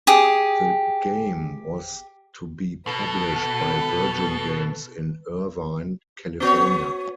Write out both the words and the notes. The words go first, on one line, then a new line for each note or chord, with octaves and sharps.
The game was to be published by Virgin Games in Irvine, California.
G4 G#4 D#6
B2 A4 B4
B3 F#4 C#5